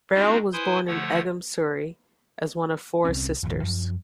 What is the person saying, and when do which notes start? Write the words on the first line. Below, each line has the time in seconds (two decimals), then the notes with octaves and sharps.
Beryl was born in Egham, Surrey, as one of four sisters.
0.14 G#3 C4 D4 D#4 F4 F#4
0.53 E4 B4 C5 G#5 C6 D#6
0.87 D3 F3 A3 C#5 F#5
3.05 C2 C4 C#4
3.43 D#1 G#1 D#2 F3
3.63 F#2 F3 F#3